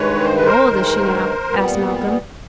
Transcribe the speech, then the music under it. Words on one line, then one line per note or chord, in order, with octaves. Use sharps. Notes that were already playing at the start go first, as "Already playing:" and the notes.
"How old is she now?" asked Malcolm.
Already playing: G2 D#3 G#3 B4 C#5
C5
B4
A#4 C5
G2 D#3 G#3
A#2 G3 B3